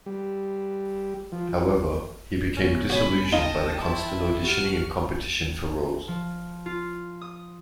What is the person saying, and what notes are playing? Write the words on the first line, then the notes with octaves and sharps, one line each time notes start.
However, he became disillusioned by the constant auditioning and competition for roles.
G3
F3
C#3 B3 C#4
F#4 C#5 G#5 B5
D#4 F4 D#5 G5 A5
E4 C6
F#4 G4 F6
F3
F4
D#6